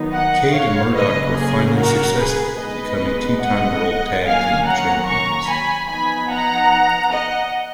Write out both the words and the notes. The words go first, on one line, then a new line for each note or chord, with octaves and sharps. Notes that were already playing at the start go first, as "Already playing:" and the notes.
Cade and Murdoch were finally successful, becoming two time World Tag Team Champions.
Already playing: D#3 F#3 B3 D#4
D#5 F#5
C#5 F5
C#3 F#3 A#3 B4 D#5
G#4
F#4 A#4
G#4 B4
B2 G#3 D#4 B4 D#5
D#5 F#5
D#3 F#3 A#3 C#4 F5 G#5
F#5 A#5
A#5 C#6
G#5 B5
F3 B3 D#4 G#5 B5
F#5 A#5
D#5 F#5